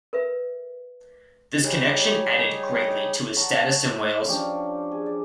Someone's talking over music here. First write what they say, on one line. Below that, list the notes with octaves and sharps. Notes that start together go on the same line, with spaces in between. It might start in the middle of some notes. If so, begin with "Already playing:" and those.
This connection added greatly to his status in Wales.
A#4 B4 E5
G3 D#4 G4 G#4 C#5
C#5 F#5 A5 A#5
F3 C#4 D4 G4
G#4
D5